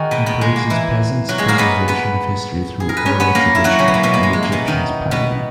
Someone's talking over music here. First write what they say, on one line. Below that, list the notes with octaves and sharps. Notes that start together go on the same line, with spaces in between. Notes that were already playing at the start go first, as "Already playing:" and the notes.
He praises peasants' preservation of history through oral tradition, and Egyptians' piety.
Already playing: D#3 D#4 F#4 G#4
B2 B3
B2 B3
G#3
A#3
E3 E4
F#3 F#4
G#3 G#4
A#3 A#4
B3 B4
B3 B4
G#4
A#4
B4
C#4 C#5
B3 B4
A#3 A#4
E4
F#3 F#4
C#3 C#4
B3
A#3
B2 B3
A#3
G#3
G#3
A#3
B2 B3
D#3 D#4
B2 B3